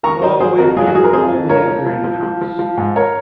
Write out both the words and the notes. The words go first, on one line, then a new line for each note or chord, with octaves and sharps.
"Oh, if we were only at Granite House!"
D#3 A#5 C#6
D#3 C5 D#5
D#3 G#4 C5
F2 F#4 A#4
F#3 F4 G#4
F#4
F#3 G#4
A#4
F2 G#4 C5
F2
F3 A#4 C#5
F3
F3
F3
F3
F3
F3
G#2
A#4 C#5